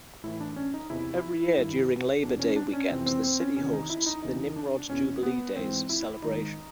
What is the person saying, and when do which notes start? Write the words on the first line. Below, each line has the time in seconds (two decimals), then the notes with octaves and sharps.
Every year, during Labor Day weekend, the city hosts "The Nimrod Jubilee Days" celebration.
0.24 A2 E3 E4
0.41 D4
0.56 C#4
0.74 D#4
0.90 E2 C3 E3 E4
1.57 G2 D#3
2.23 E2 B2 D4
2.39 C#4
2.56 D4
2.73 C#4
2.89 F2 C3 E3 C4
3.06 C4
3.23 C4
3.40 C#4
3.56 E2 C3 D#3 C#4
3.73 D#4
3.90 E4
4.06 D#4
4.22 E2 C#3 E3 D#4
4.56 D4
4.90 E2 B2 C#4
5.23 B3
5.56 G#2 E3 C4
5.90 E4
6.22 G#2 D#3 D#4